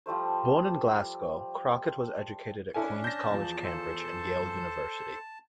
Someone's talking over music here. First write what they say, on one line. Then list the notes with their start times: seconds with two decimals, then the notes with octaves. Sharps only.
Born in Glasgow, Crockett was educated at Queens' College, Cambridge and Yale University.
0.06 F3 G3 A3 C5
2.74 C#4 D4 E4 A4 G#5
3.04 A5 G6 A#6
3.30 E2 F3
3.64 A4 C5